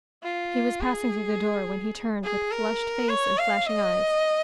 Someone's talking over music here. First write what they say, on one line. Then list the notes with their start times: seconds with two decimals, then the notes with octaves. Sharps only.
He was passing through the door, when he turned, with flushed face and flashing eyes.
0.23 F4
0.81 G#4
2.24 G#4
2.51 A#4
3.09 C#5
3.38 F5
3.67 D#5